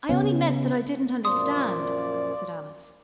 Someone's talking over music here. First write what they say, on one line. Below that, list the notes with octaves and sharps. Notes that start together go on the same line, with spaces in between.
'I only meant that I didn't understand,' said Alice.
C#3 B3 C#4
F#2 A#2 F3 D5 C6 D#6